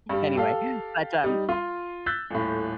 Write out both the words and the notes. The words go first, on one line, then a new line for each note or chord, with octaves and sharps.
Anyway, but, um
G2 G3
G4 A4 F5
G3 D#4
F4 C6
E6 F#6 G6 A6 B6
D#1 A2